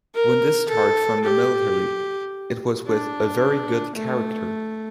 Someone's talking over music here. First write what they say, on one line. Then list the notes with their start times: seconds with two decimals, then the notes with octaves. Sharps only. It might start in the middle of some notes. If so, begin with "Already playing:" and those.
When discharged from the military it was with 'a very good character'.
0.15 A#4
0.69 A4
1.24 G4
2.87 D4
3.96 A3